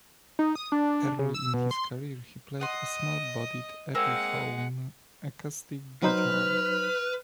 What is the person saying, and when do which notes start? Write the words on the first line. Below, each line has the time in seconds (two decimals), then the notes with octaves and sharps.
Early in his career he played a small-bodied Epiphone acoustic guitar.
0.39 D#4
0.55 D#6
0.72 D4
1.19 C#3
1.34 E6
1.54 B2
1.71 C6
2.61 D#5 F#5 C6 D#6
3.95 G#3 A#3 C4 F#5
6.03 F#3 D#4 B4 C5 F6